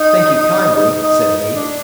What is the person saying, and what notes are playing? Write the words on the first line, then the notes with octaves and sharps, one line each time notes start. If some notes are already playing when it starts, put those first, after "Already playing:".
'Thank you kindly', said he.
Already playing: D#4
D#4
D#4
D4